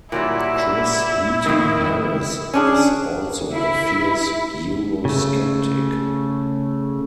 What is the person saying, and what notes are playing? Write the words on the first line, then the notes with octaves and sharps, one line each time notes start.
Chris Heaton-Harris is also a fierce eurosceptic.
A#2 F#3 G3 E4
F2 D#3
C#4 D4 G#4
E4
C#3 A3